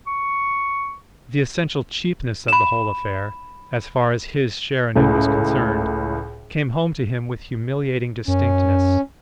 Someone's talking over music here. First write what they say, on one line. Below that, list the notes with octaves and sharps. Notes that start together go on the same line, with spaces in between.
The essential cheapness of the whole affair--as far as his share in it was concerned--came home to him with humiliating distinctness.
C#6
B5 E7
C#2 A2
F#2 C#4